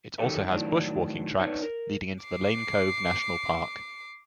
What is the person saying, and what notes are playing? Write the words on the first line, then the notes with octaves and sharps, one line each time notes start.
It also has bushwalking tracks leading into the Lane Cove National Park.
F#2 D#3 F#3 G4 A4 E5
F2 A2 D#3 F#3 D4
D4 D#4 B4 C#5
A#4
D6 C7